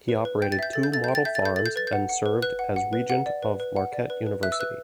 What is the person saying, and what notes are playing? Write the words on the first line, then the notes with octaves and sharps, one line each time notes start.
He operated two model farms and served as regent of Marquette University.
B4
B4
G5 G6
A6
E5 G6
A4 A6
G6
A4 A6
G5 G6
A6
E5 G6
A6
A4 G6
A4 A6
G6
B4 A6
G6
F#5
F#5
B4
B4 F#6
F#5
F#5
B4
F#5
D5
B4
B4
F#5
D5
B4
B4
E5 F#6
E6
B4 F#6